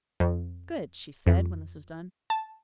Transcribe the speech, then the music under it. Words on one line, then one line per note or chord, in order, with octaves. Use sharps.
"Good!" she said, when this was done.
F2
F2
A5